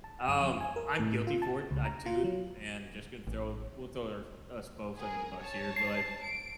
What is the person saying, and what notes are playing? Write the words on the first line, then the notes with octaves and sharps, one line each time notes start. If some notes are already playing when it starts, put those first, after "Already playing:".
Um, I'm guilty for it, uh too, and just gonna throw we'll throw us both under the bus here, but, like,
A5
F#2
F2
G#5
A#4
A2
F4
A5
C#2
A#5
F4
F#3
A1
G#4 A#4
C#5 A5
C7
D7